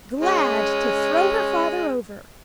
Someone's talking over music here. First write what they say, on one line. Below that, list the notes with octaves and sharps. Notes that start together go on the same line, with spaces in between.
Glad to throw her father over!
G#3 C#4